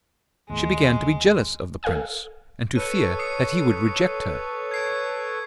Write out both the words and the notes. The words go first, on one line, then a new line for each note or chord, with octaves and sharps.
She began to be jealous of the prince, and to fear that he would reject her.
D#2 A2 G#3
A4 F5 F#5 G#5 D#6
A4 B4 C#5 C#7 D#7
D#6 C7 C#7
G#6 C7 D7